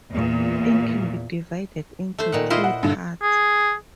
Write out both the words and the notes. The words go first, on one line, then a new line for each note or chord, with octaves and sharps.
It can be divided into three parts.
E2 A#2
A3 C5
A#2 D#3 F#5
E4 F4 C5 D#5
F#5
G2 D3
G#4